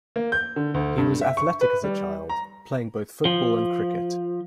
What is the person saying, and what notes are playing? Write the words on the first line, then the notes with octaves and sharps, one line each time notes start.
He was athletic as a child, playing both football and cricket.
A#3
G6
D3
D2
G2
E5
C#6
B4
G3
A#5
F3